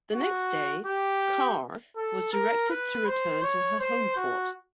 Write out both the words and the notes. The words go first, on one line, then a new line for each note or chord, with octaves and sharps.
The next day, "Carr" was directed to return to her homeport.
F#4
G4
A4
A#4
B4
C5
C#5
C5
F#4